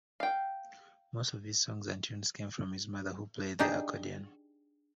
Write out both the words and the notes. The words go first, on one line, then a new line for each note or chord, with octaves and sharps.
Many of his songs and tunes came from his mother who played the accordion.
F5 G5
D4 D#4 G4 G#4